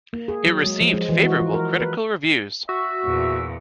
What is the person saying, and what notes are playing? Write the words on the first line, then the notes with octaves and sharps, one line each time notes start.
It received favorable critical reviews.
A#3
G#4
F#3
G#3
F3
G#3
E3
F#4
F4
A#4
B4
F#4 E5
E2 A#2